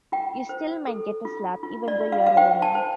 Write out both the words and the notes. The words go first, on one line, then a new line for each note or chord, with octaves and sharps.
You still might get a slap even though you're a woman.
F4 G5
C5
A4
F4
F4
D5
F4
F5
F5
C5 G5
A5
C5